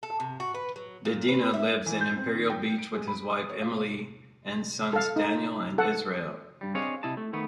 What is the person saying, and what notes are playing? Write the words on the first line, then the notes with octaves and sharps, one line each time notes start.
Dedina lives in Imperial Beach with his wife Emily and sons Daniel and Israel.
A4
C3
F#4
B4
F#3
A#2
B4
E5
E3
G6
C4
D#3
G5
D7
G#3
B5
D#6
C#5
F4
A4 F5
D#4
A4 F#5
G2 G3
C4 D4 G#4 C#5 D#5 F5
C3 E4 D#5 A5
A3
D#3 A3 B3